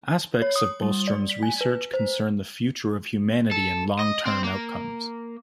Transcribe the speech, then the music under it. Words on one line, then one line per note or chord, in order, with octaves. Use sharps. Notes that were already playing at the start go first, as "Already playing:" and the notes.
Aspects of Bostrom's research concern the future of humanity and long-term outcomes.
C#5
D#6
G3
D5
B6
G#5
B4
C5
A4
D#5
C4
A#3